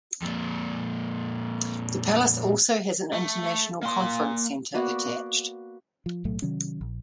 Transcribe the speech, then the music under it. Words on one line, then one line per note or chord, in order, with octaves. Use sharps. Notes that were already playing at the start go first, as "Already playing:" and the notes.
The palace also has an international conference centre attached.
F2 A#2
A3
A#3 C6
A#3 B3 F#4 D5
F3
B1 A2 F#3 A3
C3 D#3 F#3 C#4
A#1